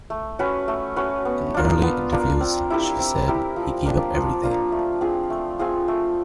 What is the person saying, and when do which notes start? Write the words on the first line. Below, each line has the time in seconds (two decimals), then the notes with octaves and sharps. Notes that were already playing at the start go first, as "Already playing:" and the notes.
In early interviews, she said, He gave up everything...
0.10 A3
0.39 C#4 F#4 B4
0.68 A3
0.96 C#4 F#4 B4
1.25 B3
1.54 D4 F4 A#4
1.83 B3
2.12 D4 F4 A#4
2.41 C4
2.70 E4 G4 A#4
2.99 C4
3.28 E4 G4 A#4
3.56 F3
3.85 A#3 D4 F4
4.14 F3
4.44 A#3 D4 F4
4.72 A3
5.01 C4 F4 G#4
5.30 A3
5.59 C4 F4 G#4
5.88 A3